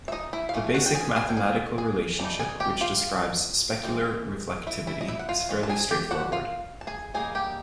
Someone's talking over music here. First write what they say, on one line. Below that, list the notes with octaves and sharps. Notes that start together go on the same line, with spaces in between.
The basic mathematical relationship which describes specular reflectivity is fairly straightforward.
E5
D#4 D#5
E4 E5
F5
E3 A3 C#4
F#4 F#5
G5
G#4 G#5
G#4 G#5
G5
G#4 G#5
G#4 G#5
E3 G3 D#4 A5
G#4 G#5
G4 G5
F4 F5
E3 G#3 C4 D#4
E4 E5
E4 E5
D#5
E4 E5
F#5
F4 F5
G#3 C#4
A5
G#4 G#5
G4 G5
F#4 F#5
F4 F5
A5
G#4 G#5
G3 A#3 D#4 G#4 G#5
G4 G5